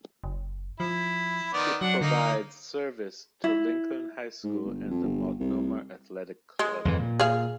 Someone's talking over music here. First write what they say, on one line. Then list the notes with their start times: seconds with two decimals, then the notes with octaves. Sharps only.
It provides service to Lincoln High School and the Multnomah Athletic Club.
0.24 F#1
0.80 F3 E4
1.53 D#3 B3 D5
1.81 F#3 D4 F#5
2.01 D3 A#3 D#4
3.44 E4
4.44 G#2
4.65 G1
4.90 F2
5.04 G1
5.40 C2
6.59 G#3
6.85 F2 G#2 E3
6.99 A#2
7.20 G#4 F5